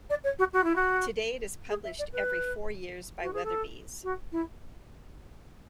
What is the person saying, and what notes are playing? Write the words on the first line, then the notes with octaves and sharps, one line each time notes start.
Today it is published every four years by Weatherbys.
D5
C#5
F#4
F#4
E4
F#4
G#4
E5
D5
B4
F#4
G#4
A4
F#4
E4